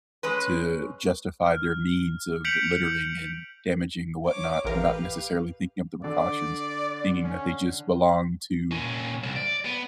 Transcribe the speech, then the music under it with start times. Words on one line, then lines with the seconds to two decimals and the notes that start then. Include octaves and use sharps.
to justify their means of littering and damaging the whatnot, not necessarily thinking of the precautions, thinking that they just belong to,
0.23 G#3 C#4 B4
1.47 F6
2.45 G6 B6 C#7 D7 F7 F#7
4.25 C#5 D6
4.65 A1 G4 A#4 B4 F5
6.04 D3 D5
7.24 C#4
8.72 A#2 C#4
9.23 C2
9.36 D5
9.66 B3